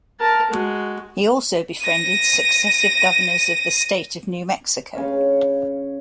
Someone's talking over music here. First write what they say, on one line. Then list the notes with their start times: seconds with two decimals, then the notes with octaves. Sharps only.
He also befriended successive governors of the state of New Mexico.
0.20 A#4 A5
0.51 G#3 F#4
1.82 A#6 D#7
4.95 C#3 C#5 F5